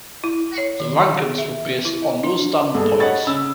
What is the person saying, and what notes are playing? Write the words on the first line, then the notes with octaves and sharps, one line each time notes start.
The rankings were based on those standing points.
E4
C#5
D#3
G#4
E5
E4
D#5
D4
G2 G#4 A4
C#5 D#5 F#5 B5 A6
C#3 E6